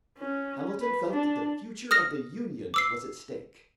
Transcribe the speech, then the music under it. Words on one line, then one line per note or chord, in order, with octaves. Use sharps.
Hamilton felt that the future of the Union was at stake.
C#4
B4
D4
D#6 F6 A#6
D6 E6 C7